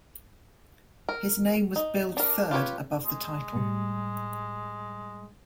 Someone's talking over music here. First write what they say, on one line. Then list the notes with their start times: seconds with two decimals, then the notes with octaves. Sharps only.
His name was billed third, above the title.
1.09 A#4
1.76 D#4
2.17 D4 A#4
2.51 F4 G4 B4 C#5
3.03 G#3
3.55 A2 G3